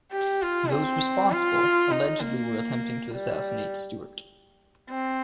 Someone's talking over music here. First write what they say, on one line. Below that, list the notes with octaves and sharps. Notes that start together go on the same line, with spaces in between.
Those responsible allegedly were attempting to assassinate Stewart.
G4
F4
C4
F4
D#4
A#3
G3
C4